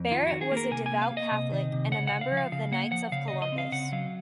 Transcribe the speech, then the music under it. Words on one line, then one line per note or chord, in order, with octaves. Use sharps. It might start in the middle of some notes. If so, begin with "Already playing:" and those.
Barrett was a devout Catholic, and a member of the Knights of Columbus.
Already playing: F2
D#3 F4
D#3 F#4
G#4
A#3
A#4
C3 G#5
G#5
A#3
F5
A#3
D#5
C3
D#3
C3
C#3 F#5
C#3 F#5
F5
F3
F5
C#3 F5
A#3 F#5
F3 F#5
C#3 F5
C#3 D#5
D#5
C4
F5
C#3 F#5
F#3 F5